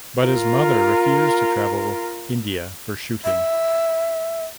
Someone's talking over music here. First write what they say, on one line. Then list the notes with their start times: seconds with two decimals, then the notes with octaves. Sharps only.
But his mother refused to travel India for shooting.
0.25 F4 A#4
3.25 E5